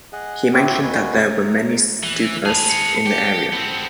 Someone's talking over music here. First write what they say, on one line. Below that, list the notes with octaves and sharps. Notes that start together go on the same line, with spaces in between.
He mentioned that there were many stupas in the area.
G#4 D#5 F#5
A2 C4 E4 F#4 G4
D#2 D#3 B3 F#4 G#5
A#5
E3
G#4 B4 A5 F7
C#7
G4
B3 C4